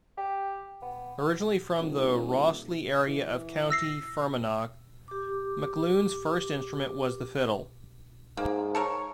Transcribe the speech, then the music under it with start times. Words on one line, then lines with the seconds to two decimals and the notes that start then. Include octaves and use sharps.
Originally from the Rosslea area of County Fermanagh, McAloon's first instrument was the fiddle.
0.17 G4
0.82 B3
1.80 D#1
3.07 E3
3.70 E6 A#6 C7
5.08 G4 D6
8.37 G#2 A#3
8.75 A4 A#4 C#5